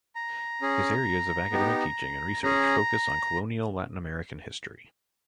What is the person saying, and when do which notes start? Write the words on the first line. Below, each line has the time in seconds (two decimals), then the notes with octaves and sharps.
His areas of academic teaching and research focus on colonial Latin American history.
0.15 A#5
0.62 C#4 G#4
1.52 B3 D#4 G4
2.43 C#4 G#4 A#5